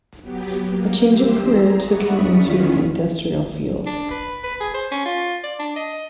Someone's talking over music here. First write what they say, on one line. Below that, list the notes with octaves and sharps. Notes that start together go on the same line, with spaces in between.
A change of career took him into the industrial field.
F#3 B3 G4
A#3
E3 G3 G4 C6 E6
G#4 A#5
D5 E5 F#5 B5 C#6 D#6
E2 D#3 C#4 F4 B6
D4
B4
B4
G#4
C5
C#4
F4
D5
D4
D#5